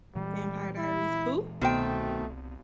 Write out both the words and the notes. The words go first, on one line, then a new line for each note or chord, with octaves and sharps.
Vampire Diaries Who?
A#2 E3 G3 G#3
E4
C2 B2 D#3 A3 B3 C4 C5 G5